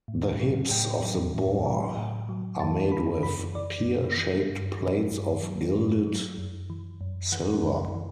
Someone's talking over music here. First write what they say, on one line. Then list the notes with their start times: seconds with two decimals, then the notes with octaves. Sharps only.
The hips of the boar are made with pear shaped plates of gilded silver.
0.08 A2
0.40 F#3
0.71 A2 G5
1.03 F#3
1.34 A2
1.66 F#3
1.97 A2
2.29 F#3
2.60 F#2 A5
2.92 E3 B5
3.23 F#2 B5
3.55 E3 D5
3.86 F#2
4.18 E3
4.49 G2
4.81 F#3
5.12 G2
5.43 F#3
5.75 G2
6.07 F#3
6.38 F#2
6.70 E3
7.01 F#2
7.32 E3 F#5
7.63 F#2
7.95 E3